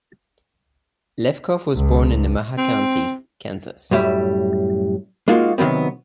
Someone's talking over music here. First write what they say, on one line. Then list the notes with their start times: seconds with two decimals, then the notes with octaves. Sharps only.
Lefkow was born in Nemaha County, Kansas.
1.75 C#2
2.58 C4
3.91 F#2 A2 G3 E5
5.28 G#3 A#3 D#4 F4 F#4
5.58 C3 D#3 F#3 B3 C4